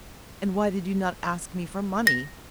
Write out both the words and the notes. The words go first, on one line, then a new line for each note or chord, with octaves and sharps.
"And why did you not ask me for money?"
A#6